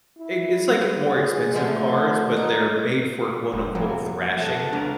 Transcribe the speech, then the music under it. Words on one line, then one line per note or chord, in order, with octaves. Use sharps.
i it's like more expensive cars, but they're made for quote, unquote, "thrashing?"
E4
G3
G#4
D3 F3 G#3 A3
D#4
E1 G2 B3
F2 C3 F3 F#3 A#3
C3 D#3 A4 F#5
C#2 B3 D4 A#4